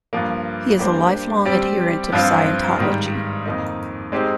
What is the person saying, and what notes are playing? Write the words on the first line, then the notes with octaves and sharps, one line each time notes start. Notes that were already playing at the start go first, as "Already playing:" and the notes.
He is a lifelong adherent of Scientology.
G2 F3 A#3
G3 A#3 D4 G4 C5
G3 C4 G4 D5
G2 F3 C4 F4
G#2 D#3 G3
F2 D#3 A#3 D#4
G#3 C4 D#4 G4